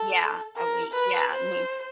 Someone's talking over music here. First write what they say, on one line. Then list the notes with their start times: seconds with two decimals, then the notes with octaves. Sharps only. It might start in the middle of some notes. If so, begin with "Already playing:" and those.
Yeah, a week, yeah. It means
Already playing: A4
0.57 A#4
0.93 B4
1.31 C5